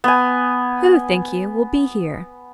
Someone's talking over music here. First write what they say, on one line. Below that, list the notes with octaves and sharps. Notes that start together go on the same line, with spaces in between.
Who, think you, will be here?'
B3 G#5